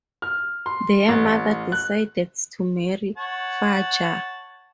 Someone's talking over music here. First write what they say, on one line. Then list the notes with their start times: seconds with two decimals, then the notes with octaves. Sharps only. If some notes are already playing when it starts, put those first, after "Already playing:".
Their mother decides to marry Fajar.
0.22 F6
0.66 C6
1.08 A1
1.72 F#6
3.17 C#5 F#5 A5